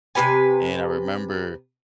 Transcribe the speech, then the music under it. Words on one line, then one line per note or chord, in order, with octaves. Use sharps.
and I remember,
C3 C#4 B4 G#5